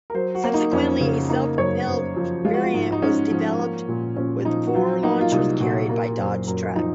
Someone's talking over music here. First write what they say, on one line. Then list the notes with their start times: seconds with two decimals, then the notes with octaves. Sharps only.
Subsequently a self-propelled variant was developed, with four launchers carried by Dodge truck.
0.10 A#4
0.14 F#3 C5
0.35 F#4
0.44 A#3
0.54 D#4
0.73 F2 C#4
1.00 C#3
1.29 A#3 D#4
1.58 F#2 C#5
1.87 F#2 C5
2.16 F3
2.45 G#3 F4
2.54 F#4
2.62 F4
2.74 G#2
2.92 D#4
3.02 G#2 C#4
3.31 F3
3.59 A#3
3.88 A#2
4.17 A#2 C#4
4.45 F3 D#4
4.67 F#4
4.74 F#3 F4
5.03 A#3 D#4
5.21 F4
5.32 C2 D#4
5.60 A#2 F#4
5.89 A#3 A#4
6.18 F#2 C5
6.47 F#2 A#4
6.76 F3 D#4